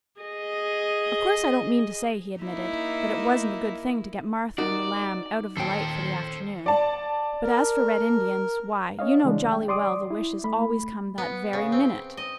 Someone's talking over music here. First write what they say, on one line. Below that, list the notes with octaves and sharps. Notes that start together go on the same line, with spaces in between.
'Of course I don't mean to say,' he admitted, 'that it wasn't a good thing to get Martha and the Lamb out of the light for the afternoon; but as for Red Indians - why, you know jolly well the wishes always come that very minute.
G#4 D#5
A#3 D#4 E4
D#4 F#4 A#4 D5
D#2 A#2 A4 C5 G5
D5 A5
A#4
C#4 C#5 D#5 F5
C#3 E3 G#3 D4
G5
D5 C6 D6 D#6
E4
A3 B5
B3
C#3
C4
D#5